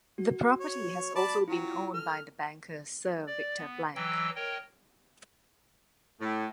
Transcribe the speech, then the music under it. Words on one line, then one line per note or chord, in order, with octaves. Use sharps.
The property has also been owned by the banker Sir Victor Blank.
F#4
C#5
D5 A5 B5
F#3 E4 F4 G5
A4 F6
D5
B3
E3 F#3 D#5 G5 E6
A#4 C#5 D#5 G5
A2